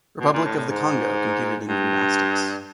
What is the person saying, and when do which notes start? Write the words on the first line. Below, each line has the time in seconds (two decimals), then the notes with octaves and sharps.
Republic of the Congo competed in gymnastics.
0.20 B2
0.33 A#2
0.45 A2
0.57 A2
0.69 G#2
1.68 G2